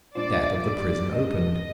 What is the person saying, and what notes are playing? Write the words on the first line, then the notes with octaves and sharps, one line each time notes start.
That of the prison opened.
A#2 G3 D4 F4 C5 D5
G#2 G3 D4 D5
G#2 G3 D4 D#5